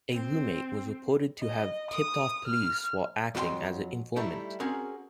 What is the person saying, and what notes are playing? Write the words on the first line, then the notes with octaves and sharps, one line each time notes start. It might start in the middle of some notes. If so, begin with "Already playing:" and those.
A room-mate was reported to have tipped off police, while acting as an informant.
C4
D#5
D#6
F6
F2 F#3 D4 E4 G5 C6
G3 A3 D#4 E4 A4
C4 C#4 F#4 G#4 A#4